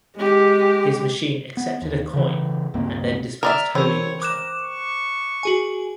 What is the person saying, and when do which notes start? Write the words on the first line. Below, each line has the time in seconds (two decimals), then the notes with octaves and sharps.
His machine accepted a coin and then dispensed holy water.
0.16 G#3 G4
1.57 B3
1.82 D#2
2.13 C#3 E3
2.74 C#2 G2 A#3 C4
3.43 A#4 D5 E5 F6
3.75 E3 C4 A#4 C#5
4.22 A#4 D6 F#6 E7
4.57 C#6
5.43 F#4 G#4 G#5